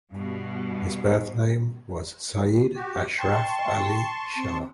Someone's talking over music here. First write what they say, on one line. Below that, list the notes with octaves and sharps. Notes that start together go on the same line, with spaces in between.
His birth name was Syed Ashraf Ali Shah.
G2 B2
F#4 G4
G5 A5 C6 C#6
C4